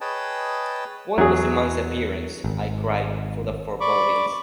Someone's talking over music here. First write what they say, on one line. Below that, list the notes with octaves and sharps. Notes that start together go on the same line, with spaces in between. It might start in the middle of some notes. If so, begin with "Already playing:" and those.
"What was the man's appearance?" I cried, full of forebodings.
G#4 B4 C#5 D#5 G5 A5
E2 F#3 G#4
G#1
D5 B5 C#6 D6